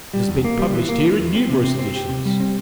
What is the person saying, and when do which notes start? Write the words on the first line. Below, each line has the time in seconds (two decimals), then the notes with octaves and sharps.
It has been published here in numerous editions.
0.14 G3
0.29 E2
0.44 A#3
0.59 G3
0.74 E3
0.89 A#3
1.04 E3
1.19 E2
1.34 C4
1.50 C3
1.64 C4
1.79 C4
1.95 G4
2.09 C3
2.25 G3
2.40 C4